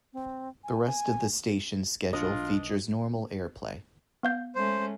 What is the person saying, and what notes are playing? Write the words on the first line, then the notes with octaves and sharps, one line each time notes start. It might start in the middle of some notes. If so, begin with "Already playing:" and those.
The rest of the station's schedule features normal airplay.
C4
G#5
G#5
B1 D4 F4 D#5
B3 F5 G6
G#3 A3 C#4 C5